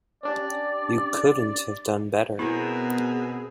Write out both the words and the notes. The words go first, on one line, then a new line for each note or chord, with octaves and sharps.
You couldn't have done better.
C#4 D4 G4 D5
B2 B3 C4 E4 G#4 A#4